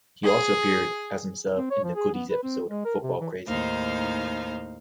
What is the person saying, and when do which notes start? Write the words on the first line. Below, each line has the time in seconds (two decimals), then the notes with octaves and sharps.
He also appeared, as himself, in "The Goodies" episode "Football Crazy".
0.23 G#4
1.57 C4
1.71 C#5
1.83 F3
1.96 G#4
2.14 B3
2.30 B4
2.43 C4
2.70 G#3
2.85 A#4
3.03 C3
3.21 E3
3.48 D#2 A2 D#4 C5 F5